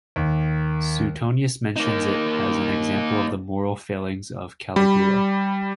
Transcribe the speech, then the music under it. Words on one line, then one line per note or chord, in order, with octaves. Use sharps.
Suetonius mentions it as an example of the moral failings of Caligula.
D#2
A#3 D#4
G3 B5